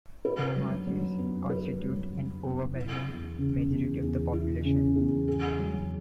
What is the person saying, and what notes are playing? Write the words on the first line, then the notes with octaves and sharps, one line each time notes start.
Muhajirs constitute an overwhelming majority of the population.
B4
F#3
F#3
B3
B4
F#3
F#3
B3
E4
E2
C#3
E2
E2
E4
C#3
E2
G#4
F#3